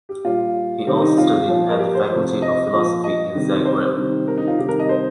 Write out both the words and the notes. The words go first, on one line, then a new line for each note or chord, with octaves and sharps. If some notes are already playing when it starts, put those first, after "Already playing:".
He also studied at the Faculty of Philosophy in Zagreb.
G4
A#2 G3 F4
C3 D#3 G3 C4
D#4
F4
A#2 F3
A#4
G4
C5
C3 F3
D#5
A#2 F3
D#5
C3 D#3 G3
C5
C3 D#3 G3
A#4
D#4
F4
C3 D#3 G3 G4
A#4
D#5
C5